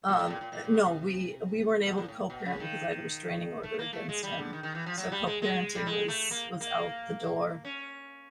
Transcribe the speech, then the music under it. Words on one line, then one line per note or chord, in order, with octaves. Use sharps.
Um, eh, no we we weren't able to co-parent because I had a restraining order against him, so co-parenting was was out the door.
A#2
A2
A#2
A#2
A#2
A#2
B2
C3
B2
A#2
A2
B2
C#3
D#3
A3
A#3
A3
G#3
G3
D3
D#3
D#3
E3
F3
F#3
G3
G#3
G#3
G3
G#3
A3
A#3
A#3
C#4